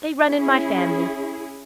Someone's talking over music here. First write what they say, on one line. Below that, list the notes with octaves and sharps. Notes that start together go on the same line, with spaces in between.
They run in my family.
C#4 E4 G#4